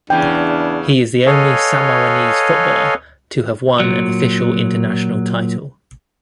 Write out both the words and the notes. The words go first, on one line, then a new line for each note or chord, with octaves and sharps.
He is the only Sammarinese footballer to have won an official international title.
E2 C#3 E3 D4 G5
A4 B4 C#5 D#5 F5 G#5
A#2 F#3